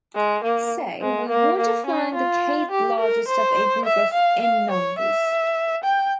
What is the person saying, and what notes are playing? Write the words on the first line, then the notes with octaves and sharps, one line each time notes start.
Say we want to find the "k"th largest of a group of "n" numbers.
G#3
A#3
G#3
A#3
A#3
C#4
F4
G4
A#4
C5
E5
F5
F5
C#5
E5
G5